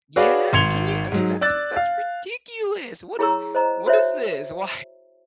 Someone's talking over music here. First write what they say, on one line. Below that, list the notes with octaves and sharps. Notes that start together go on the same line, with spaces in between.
Yeah, can you I mean, that's that's ridiculous. What is what is this? Why
F#4 G#4 B4 C#5 D5 F5
G#1 C6 G#6 C#7 F7 G7
G#2 F#3
D5 E6 F#6 A6
F5
E4 G#4 C#5 A#5 C#6 E6
C5 D#5 A#5
F#4 C5 C#5 E5